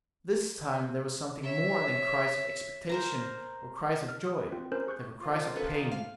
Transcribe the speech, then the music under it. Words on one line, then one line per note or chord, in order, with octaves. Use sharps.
This time there was something more than cries of expectation or cries of joy, there were cries of pain.
C#5 E5
A#4 C5 A#5
F6
D#6
C4 F4
C#4 A#4 C5
G#4 C#6 F#6 G6
F3 A#3 F4
C#4 A4 B4
D#3
F5